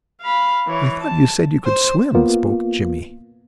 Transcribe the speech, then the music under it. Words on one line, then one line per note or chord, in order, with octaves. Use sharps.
"I thought you said you could swim," spoke Jimmie.
F5 B5
E3 C#5
A5
C5
A#3 B3 F4